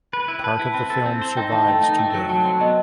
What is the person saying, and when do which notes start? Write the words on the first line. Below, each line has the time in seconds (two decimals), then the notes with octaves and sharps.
Part of the film survives today.
0.13 B4 B5
0.28 E4 B5
0.39 G5
0.44 B4 A5
0.59 E4
0.74 C4
0.90 A4
1.06 C4
1.22 C5
1.37 D#4 G5
1.52 E3 A5
1.68 A3 G5
1.84 D#4
1.99 A3
2.14 F#3
2.29 F#3 A5
2.45 C4
2.61 B3 D#5